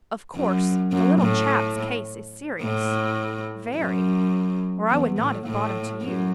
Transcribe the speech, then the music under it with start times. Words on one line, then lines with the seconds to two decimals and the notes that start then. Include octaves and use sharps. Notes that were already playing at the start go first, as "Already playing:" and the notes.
"Of course the little chap's case is serious--very--or I would not have brought him to you."
0.36 F#2
0.93 F#2
1.21 A2
2.62 A2
3.76 F#2
4.90 E2
5.18 A2
5.47 A2
6.03 F#2